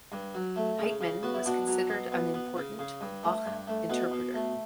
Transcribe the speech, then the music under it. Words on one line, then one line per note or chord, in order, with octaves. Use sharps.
Heitmann was considered an important Bach interpreter.
G2
F#3
A3
C#3
C#3
B3 F#4
E4
B2 D4 F#4
F#3
B2
B3
B3
C#3
C#3
G2
A3
G2
A3
B2 B3
B2
A3